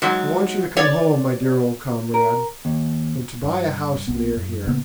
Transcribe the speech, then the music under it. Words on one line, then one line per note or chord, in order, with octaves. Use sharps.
I want you to come home, my dear old comrade, and to buy a house near here.
G#2 F#3
C#5 D5
A#4
D#2
G2
B1 A#2 B3
F#2
A2 C#3 A#3 B3